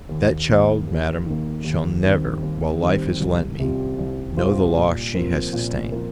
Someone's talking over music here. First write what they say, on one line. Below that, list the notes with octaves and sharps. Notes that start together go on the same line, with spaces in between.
That child, Madam, shall never, while life is lent me, know the loss she has sustained.
D#2
D#3 A#3
D#2
D#3 A#3
D#2
D#3 G3 C4
D#2
D#3 G3 C4
C2
C3 G3 C4 F4
C2
C3 G3 C4 F4
A#2
F3 C4 F4 A#4
A#2
F3 C4 F4 A#4